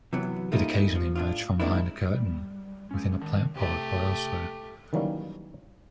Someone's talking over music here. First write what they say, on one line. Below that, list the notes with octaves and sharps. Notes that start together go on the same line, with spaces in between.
It occasionally emerged from behind a curtain, within a plant pot, or elsewhere.
C3 E3 F#3 B3
G3 A3 A#3 C#4 D#4 F4
F3
A2 D4 F4
D#3 G#3 A#3 C4 D4 E4
G3
G#3 C#4
D#3 A5
C3 A3 G4
D#3 E3 F#3 G3 A#3 C#4